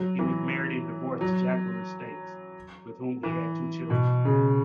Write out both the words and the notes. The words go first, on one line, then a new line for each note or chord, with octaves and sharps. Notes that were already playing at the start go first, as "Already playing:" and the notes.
He was married and divorced to Jacqueline Stakes, with whom he had two children.
Already playing: F#3
E3
F#3
E3
B2
C#3